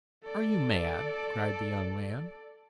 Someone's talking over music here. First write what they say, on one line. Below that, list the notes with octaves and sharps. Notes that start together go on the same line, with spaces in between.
"Are you mad?" cried the young man.
A4 D5